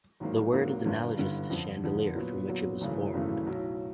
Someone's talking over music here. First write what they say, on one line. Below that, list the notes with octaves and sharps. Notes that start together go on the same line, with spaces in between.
The word is analogous to chandelier, from which it was formed.
G#1 G#2 D#3 F#3 A#3
G#1 G#2 D#3 F#3 A#3
G1 G2 D3
G1 G2 D3
F2 D3 F3
F2 D3 F3
A#2 F#3 B3
A#2 F#3 B3
G#1 F#2 C#3 E3 A3
G#1 F#2 C#3 E3 A3
B1 A2 F#3